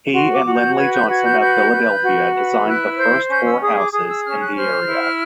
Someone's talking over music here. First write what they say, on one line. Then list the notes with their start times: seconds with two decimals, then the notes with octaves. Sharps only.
He and Lindley Johnson of Philadelphia designed the first four houses in the area.
0.13 F#4 C6
0.34 D6
0.45 F#4
0.56 G6
0.76 B4 G#6
0.93 G6
1.08 F#4 G#6
1.24 G6
1.40 B4 G6
1.71 B4
2.04 F#4
2.34 B4
2.66 E4 F#6
2.97 C5 G6
3.29 C#4 G6
3.45 E6
3.60 G#4 D#6
3.77 D6
3.92 G#4 D#6
4.08 E6
4.24 C#4 F6
4.40 F#6
4.55 C5 F6
4.87 E4